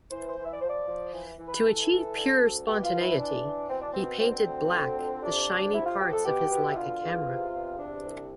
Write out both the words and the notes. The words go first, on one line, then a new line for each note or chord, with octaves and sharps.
To achieve pure spontaneity he painted black the shiny parts of his Leica camera.
E3 C5
C5
E3
E5
D5
F3 C5
D5
F3
E3
E3
B4
E3 A4
E3
D3
D2
B2 G4
F4
B2
E4
E3 D4
E3
B2 C4
D4
B2 C4
D3 C4
D2
D3
F2
C3 D4
D2
C3 E4
F4
F2 G4
A4
B2 G4
B2
E4
D3 F4
E2
C3
E2
C3 D4
C2